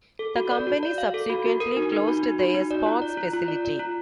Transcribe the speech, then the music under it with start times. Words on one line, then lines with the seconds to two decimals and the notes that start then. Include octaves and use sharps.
The company subsequently closed their Sparks facility.
0.19 A4
0.36 F#4
0.51 D5
0.67 F#4
0.83 D5
0.98 F5
1.14 A4
1.30 F#4
1.46 F#4
1.60 A#4
1.77 D#4
1.92 D#4
2.07 F#4
2.23 D#4
2.39 F#4
2.55 D#4
2.71 D5
2.86 F4
3.02 D5
3.17 F4
3.33 F4
3.48 D5
3.65 D5
3.79 F4